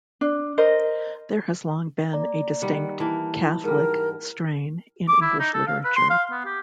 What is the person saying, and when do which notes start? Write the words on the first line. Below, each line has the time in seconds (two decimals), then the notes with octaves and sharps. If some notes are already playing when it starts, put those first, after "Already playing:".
There has long been a distinct Catholic strain in English literature.
0.21 D4
0.58 A#4 C5 D#5
2.13 A#3 D5 A#5
2.62 D#3 G3 F#5
3.00 E3 A#3 A5
3.42 E4
3.64 G#2 G3 A#4
5.08 D6
5.22 E4
5.40 D#4
5.54 A4
5.67 F5
5.85 B4
5.96 C6
6.10 F5
6.32 B3
6.45 G4